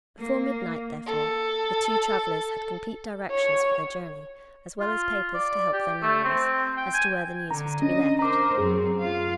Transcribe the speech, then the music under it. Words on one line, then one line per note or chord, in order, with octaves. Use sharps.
Before midnight, therefore, the two travellers had complete directions for their journey, as well as papers to help their memories, as to where the news was to be left.
A#3
A4
C#5
F4
D5
G4
A3
C4
G5
G#5
D3 A#5
C#4 D4 D#5
A#4 C5 A#5 D6
F#2 C4 G#4
F4 F5